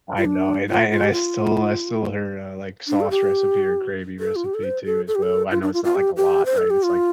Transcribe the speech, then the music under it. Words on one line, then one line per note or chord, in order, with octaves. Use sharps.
I know. And I and I stole I stole her, uh, like, sauce recipe or gravy recipe, too, as well. I know it's not, like, a lot, right? It's like
F4
D4
F4
F4
G4
F4
D4
A4
G4
A4
F4
G4
A4
C5
A4
A4
G4
A4
F4
D4
F4
F4
G4
G4
C5
A4
G4
F4